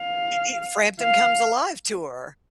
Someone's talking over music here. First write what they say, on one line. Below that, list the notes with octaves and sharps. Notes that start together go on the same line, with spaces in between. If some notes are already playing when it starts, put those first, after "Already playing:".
E Frampton Comes Alive tour.
Already playing: F5
F5